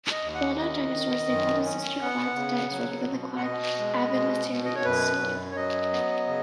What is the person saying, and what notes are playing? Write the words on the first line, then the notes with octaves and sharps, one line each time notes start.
While not dinosaurs, they form a sister clade to dinosaurs within the clade Avemetatarsalia.
D#5
D#2
F#5
D#3 D#5
D#3
F#2
C#4
B3 F#5
C#3
F#3
B2
F#5
B2 D#5
G#3
B2
B2
D#5
C#5
F#2 B4
F#2
C#5
F#3 D#5
B3
C#3